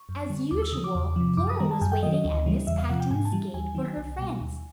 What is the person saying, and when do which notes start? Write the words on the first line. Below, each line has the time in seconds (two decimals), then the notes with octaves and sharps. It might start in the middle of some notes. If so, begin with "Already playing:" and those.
As usual Flora was waiting at Miss Patten's gate for her friends.
Already playing: C#6
0.09 F#2
0.30 D3 G3
0.51 D#2 D6
0.62 E6
0.72 C#3 F3 D#6
0.84 D6
0.95 E2
1.16 C3 F3
1.37 F#2 D6
1.49 D#6
1.59 D#3 G3 A#5
1.71 A5
1.81 F#2 G#5
1.92 G5
2.03 F#3 D#5
2.06 D#3
2.14 D#5
2.25 D2
2.46 C#3 E3 G3
2.67 E2 E5
2.78 F5
2.88 C3 F3 F#5
3.00 G5
3.11 G#2 G#5
3.25 A5
3.32 E3 G3
3.54 D#2 G#5
3.75 D#3 F#3
3.97 C2
4.19 B2 G3
4.41 D#2